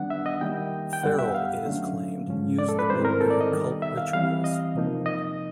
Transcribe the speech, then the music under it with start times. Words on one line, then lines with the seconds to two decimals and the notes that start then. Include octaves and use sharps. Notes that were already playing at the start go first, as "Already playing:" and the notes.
Ferrell, it is claimed, used the book during cult rituals.
Already playing: D#3 G3 B3 D4 F#5
0.10 E5
0.26 D#5
0.41 D#3 G3 A#3 G5
0.93 G5
1.03 F#2 D3 G3 B3 F#5
1.19 E5
1.35 F5
1.65 D3 F#3 A3 C#4
2.27 G#2 F3 G#3 C#4
2.59 D5
2.69 A4
2.79 B4
2.89 G#2 D#3 G3 C4 E4 C5
3.05 A#4
3.21 A4
3.30 D5
3.41 D#5
3.51 D#3 G3 B3
3.82 E5
3.97 F5
4.13 E3 G3 C4 F5
4.44 D#5
4.75 C3 F3 A#3 D#4
5.06 D#5